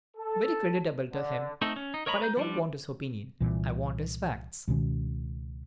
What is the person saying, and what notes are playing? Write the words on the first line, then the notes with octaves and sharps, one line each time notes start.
Very creditable to him, but I don't want his opinion--I want his facts.
A4
D3
A3 C4 D#4 A4
C#4
D#4
A#4 C#5 D#5 A#5 B5
B4 A#5 G6
F3 G3 D4
C2 A#2 E3
C#2 B2 D#3 C#4